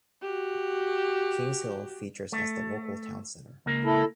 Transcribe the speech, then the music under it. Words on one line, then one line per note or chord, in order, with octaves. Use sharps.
Kings Hill features as the local town centre.
F#4 G4
A3
C#2 A#3
E4 A4